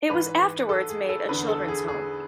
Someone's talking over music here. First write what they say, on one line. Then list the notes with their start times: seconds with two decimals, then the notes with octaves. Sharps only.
It was afterwards made a children's home.
0.10 G#2 E3 B4
0.39 B4
0.69 A4
0.89 G#4
1.09 A4
1.29 E2 D3 B4
1.49 A4
1.68 G#4
1.88 G#4